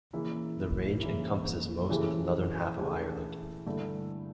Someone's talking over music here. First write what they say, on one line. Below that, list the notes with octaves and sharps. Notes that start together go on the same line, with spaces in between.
The range encompasses most of the northern half of Ireland.
C#3 E3 A#3 E4
C#3 E3 A#3 E4
C#3 E3 A3 E4 G4
C#3 E3 A3 E4 G4
G2 D3 A3 E4